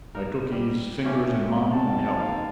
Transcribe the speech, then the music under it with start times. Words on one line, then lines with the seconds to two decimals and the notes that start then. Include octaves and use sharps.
I took Eve's fingers in mine and held them.
0.15 D#4 A#4
0.52 G3
1.04 D2 E3 C#4 G4
1.41 C3
1.72 G#1 A5
2.19 D#2 F5